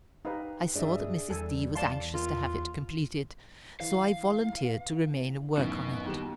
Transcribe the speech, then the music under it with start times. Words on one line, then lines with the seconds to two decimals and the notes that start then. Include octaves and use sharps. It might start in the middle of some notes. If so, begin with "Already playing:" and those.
I saw that Mrs. D. was anxious to have it completed, so I volunteered to remain and work on it.
0.25 D#4 G4 B4 F5
0.75 G2 D4 G#4 D#5 E5
1.30 E2 G3 A4 G#5
1.75 D5 F5 A5 C6
2.14 A#3 F4
3.80 E3 F5
5.57 A1 F#2 D#3 B3 F#4
6.05 D#2 G3 E7